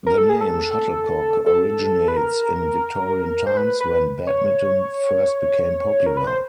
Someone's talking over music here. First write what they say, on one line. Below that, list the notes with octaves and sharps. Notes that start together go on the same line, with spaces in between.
The name 'shuttlecock' originates in Victorian times, when Badminton first became popular.
A#4
A4
G#4
A4
A4
B4
A#4
C5
B4
B4
C#5
A#4
B4
C5